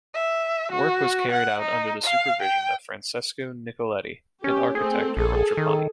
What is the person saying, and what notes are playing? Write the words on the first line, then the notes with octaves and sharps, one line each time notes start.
Work was carried out under the supervision of Francesco Nicoletti, an architect from Trapani.
E5
F#4
F#5
D#4
F5
G5
C#4 G4
A3 C4 G#4
A#1 G#4 A4
D#3